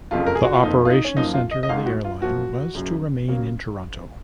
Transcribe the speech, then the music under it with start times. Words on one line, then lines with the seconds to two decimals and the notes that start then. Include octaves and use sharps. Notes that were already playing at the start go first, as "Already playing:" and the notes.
The operation centre of the airline was to remain in Toronto.
0.11 F#1 F2 C#3 F4
0.26 A#4
0.35 G#4
0.44 F#4
0.54 F4
0.63 F1 F2 F3 A#3 D#4
0.85 F4
0.90 D#4
1.05 C#4
1.16 F#2 F3 A#3 D#4
1.34 F4
1.51 D#5
1.63 D#5
1.69 G#1 G#2 D#3 F5
1.86 F#4
2.05 F4
2.21 F#2 F3 A#3 F#4
2.74 F#1 F#2 C#3 F#3
3.28 C#3 F#3 A#3